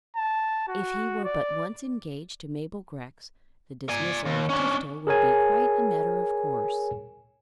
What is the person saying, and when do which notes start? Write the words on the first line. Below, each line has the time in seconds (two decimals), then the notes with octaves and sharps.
If he were but once engaged to Mabel Grex the dismissal of Tifto would be quite a matter of course.
0.17 A5
0.68 F#4
1.25 D5
3.89 D5 G#5
4.26 D#2
4.50 C#4 D4
5.07 G#4 A#4 C#5 G#5